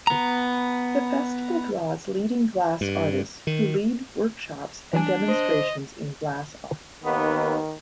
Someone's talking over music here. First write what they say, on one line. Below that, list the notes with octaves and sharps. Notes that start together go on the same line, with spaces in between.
The festival draws leading glass artists who lead workshops and demonstrations in glass art.
B3 A#5
G2
D#3
E3 D4 G#5
C5 D#5
D#2 D#3 B3